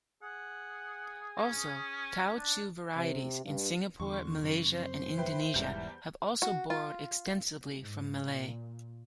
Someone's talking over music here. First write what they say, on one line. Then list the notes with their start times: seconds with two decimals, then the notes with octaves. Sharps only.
Also, Teochew varieties in Singapore, Malaysia and Indonesia have also borrowed extensively from Malay.
0.22 G#4 F#5
1.37 C#4
2.36 D4
2.95 C3
3.45 G2
4.00 E2 D3 C6 C#6
4.42 F#2 C#3
4.72 C4 C5
5.17 E3 B4 E5 G5
5.54 E1 E2 G#2 E3 G3 G6
6.42 F#4
6.70 F4
7.78 G#2
8.25 A#2